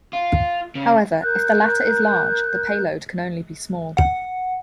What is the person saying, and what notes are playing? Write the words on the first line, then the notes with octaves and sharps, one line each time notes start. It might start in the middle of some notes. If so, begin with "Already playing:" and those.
However, if the latter is large, the payload can only be small.
F4
C#3
A#4 F#6 G6
F#5